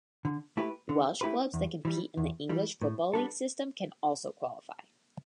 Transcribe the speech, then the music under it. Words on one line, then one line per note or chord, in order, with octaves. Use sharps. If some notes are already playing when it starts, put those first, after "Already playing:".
Welsh clubs that compete in the English football league system can also qualify.
D3
A3 E4 G4 B4
D3
A3 E4 G4 B4
E2
E3 G3
E2
E3 G3
A2
G3 B3 D4 A4